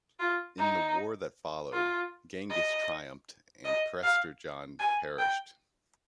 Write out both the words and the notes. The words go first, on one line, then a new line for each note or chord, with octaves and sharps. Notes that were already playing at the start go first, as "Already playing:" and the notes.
In the war that followed, Genghis triumphed and Prester John perished.
F4
D#4
F4
D#5
D#5
F5
G#5
G5